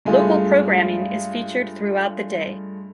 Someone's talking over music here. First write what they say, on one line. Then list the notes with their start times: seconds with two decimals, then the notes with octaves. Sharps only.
Local programming is featured throughout the day.
0.05 G2 G#3 A3 F4